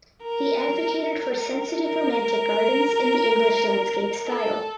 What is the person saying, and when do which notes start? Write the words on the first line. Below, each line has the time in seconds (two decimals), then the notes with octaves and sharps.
He advocated for sensitive Romantic gardens in the English landscape style.
0.22 A#4
1.04 A#4
1.84 A#4
4.27 A4